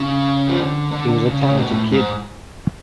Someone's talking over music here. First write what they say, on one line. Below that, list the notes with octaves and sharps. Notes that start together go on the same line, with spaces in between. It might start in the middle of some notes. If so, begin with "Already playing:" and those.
He was a talented kid.
Already playing: C#3
F3
D3
D3
D3
C#3
C#3
A2
B2
A2
G#2